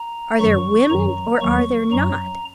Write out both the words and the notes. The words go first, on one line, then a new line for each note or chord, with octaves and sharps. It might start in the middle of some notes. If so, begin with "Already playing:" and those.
Are there women or are there not?
Already playing: A#5
F#2 D#3 F#3 C#6
F#2 D#3 F#3 A#5
D#2 D#3 F#3 C#6
F#2 F#3 A#5